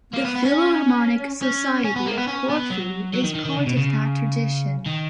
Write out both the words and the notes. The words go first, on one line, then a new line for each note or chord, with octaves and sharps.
The Philharmonic Society of Corfu is part of that tradition.
A#3
B3
B3
C#4
C#4
C#4
B3
A#3
B3
C#4
B3
F#3
F#3
D#3
D#3
D#3
C#3
B2
C#3
D#3